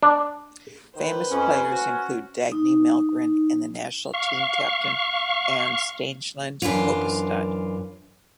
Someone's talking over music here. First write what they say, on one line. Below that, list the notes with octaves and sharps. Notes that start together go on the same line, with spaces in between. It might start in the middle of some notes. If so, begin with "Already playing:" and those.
Famous players include Dagny Mellgren and the national team captain Ane Stangeland Horpestad.
D4
D#3 B4 C5
F2 C#4
F#4
D#4
F5 C#6
F#2 E3 D4 F4